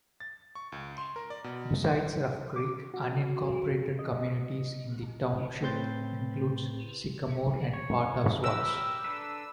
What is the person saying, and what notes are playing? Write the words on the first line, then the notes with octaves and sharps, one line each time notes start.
Besides Ruff Creek, unincorporated communities in the township include Sycamore and part of Swarts.
A6
C#6
C#2
C6
A#4
D5
B2
D6
F#4
D#5
A2 C4 B4 C6 G6 A6
C#5
G4 A#4 B4 E6
D4 A4 B4